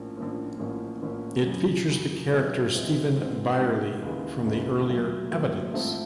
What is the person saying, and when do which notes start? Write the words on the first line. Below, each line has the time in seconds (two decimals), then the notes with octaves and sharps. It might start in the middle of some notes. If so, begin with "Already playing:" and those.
It features the character Stephen Byerley from the earlier "Evidence".
Already playing: A#1 A2 F3 A#3 C#4
0.17 A#1 A2 F3 A#3 C#4
0.59 A1 A2 F3 A#3 C#4
1.02 A1 A2 F3 A#3 C#4
1.46 F#2 C#3 F#3
1.89 F#2 C#3 F#3
2.31 B1 B2 G#3 C4 E4
2.74 B1 B2 G#3 C4 E4
3.16 A#1 G#2 E3 G3 C4
3.59 A#1 G#2 E3 G3 C4
4.02 D#2 C#3 E3 G#3
4.45 D#2 C#3 E3 G#3
4.88 A#2 F#3 A3
5.31 A#2 F#3 A3
5.74 G#2 F3 A3 C4 E4